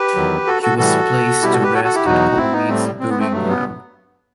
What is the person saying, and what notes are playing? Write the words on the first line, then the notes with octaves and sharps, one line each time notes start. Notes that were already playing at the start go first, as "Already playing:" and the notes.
He was placed to rest at Holmead's Burying Ground.
Already playing: G4 B4
E2 D#3 F#3
F#4 A4
F#4 A4
A2 E3 G3 F#4 A4
B2 G3 E4 G4
F#4 A4
G4 B4
F#4 A4
F#4 A4
E4 G4
E2 B2 F#3 D#4 F#4
C4 E4
B3 D#4
A2 G3 A3 C4
C4
B3
A3 C4
G2 F#3 A3
B3